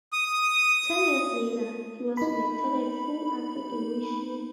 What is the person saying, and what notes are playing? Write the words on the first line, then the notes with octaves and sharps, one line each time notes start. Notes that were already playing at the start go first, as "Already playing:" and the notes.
Ten years later, he was elected a full academician.
D#6
D#4 B5